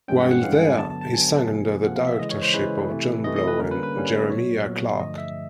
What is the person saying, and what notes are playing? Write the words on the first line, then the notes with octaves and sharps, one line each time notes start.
While there, he sang under the directorship of John Blow and Jeremiah Clarke.
G2 E3 G#3 C#4 G5
F#5
F#5
G2 E3 G#3 C#4 F5
F#5
G#5
D3 F#3 B3 A5
A5
A5
D3 F#3 B3 G#5
C3 F3 A#3
C3 F3 A#3 F#5
F5
E5
C#3 E3 G#3 D#5
C#5
C5
C#3 E3 G#3 B4
C3 E3 A3
C3 E3 A3 D#5
D#5
B4
D3 G3 A#3 C#4 A#4
B4
B4
D3 G3 A#3 C#4
A#2 F#3 B3 C#5
A#2 F#3 B3
G2 D3 F3 A3 D#5
E5